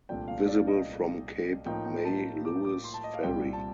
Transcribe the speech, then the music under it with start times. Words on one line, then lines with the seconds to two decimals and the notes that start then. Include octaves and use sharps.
Visible from Cape May-Lewes Ferry.
0.09 C2 A#2 A3 D4 G5
0.28 F5
0.48 D5
0.60 F5
0.68 D#5
1.66 A2 F3 A#3 D#4 G5
1.86 G5
2.05 A5
2.45 D6
2.65 D6
2.84 C6
2.94 A5
3.04 D#5
3.14 F5
3.23 C2 A#2 G3 G5
3.53 A5